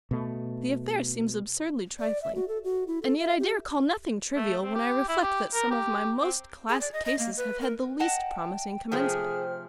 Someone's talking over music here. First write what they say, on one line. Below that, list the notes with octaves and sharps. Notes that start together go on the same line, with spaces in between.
The affair seems absurdly trifling, and yet I dare call nothing trivial when I reflect that some of my most classic cases have had the least promising commencement.
B2 A3
D5
E5
F#4
A4
F#4
E4
A4
E5
G4
A3
C4
G4
E4
G4
A#4
G4
C4
G#4
D5
D#5
D#5
A#3
B4
A#4
D#5 F#5 G5 A5
C3 F3 A3 G#4 C5 G5 F6